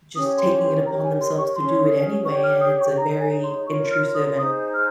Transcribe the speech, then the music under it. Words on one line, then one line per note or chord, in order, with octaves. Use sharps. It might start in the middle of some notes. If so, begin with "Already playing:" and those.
just taking it upon themselves to do it anyway, and it's a very intrusive and
C#4 G4 C#5 D#6
C6
C6
G4 A#4 C#5 A#5
G#5
C6
C#6
C#4 G#4 C#5 C6
G4 C#5 C#6
F6
D#6
C#6
D#4 G#4 C#5 A#5
G#5
C6
F4 A#4 C#5 C#6
F6
D#6
D#4 G#4 C5 D#6
F6